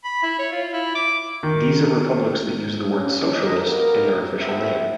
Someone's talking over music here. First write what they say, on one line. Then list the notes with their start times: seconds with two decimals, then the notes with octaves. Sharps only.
These are republics that use the word "socialist" in their official name.
0.04 B5
0.22 E4
0.39 C#5
0.52 F4
0.73 E4
0.95 D6
1.43 D#3
2.91 A#2 D3 F3 C4 C#4
3.31 A#3 C4 D#5
3.66 A#3 B3 D#4 G4 A#4
4.41 B3 C4 F#4 G4 E5